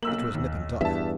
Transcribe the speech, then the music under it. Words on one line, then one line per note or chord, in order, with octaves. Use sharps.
It was nip and tuck.
B1 A#3 E6 F#7
D#2
E2 G2 E5 A5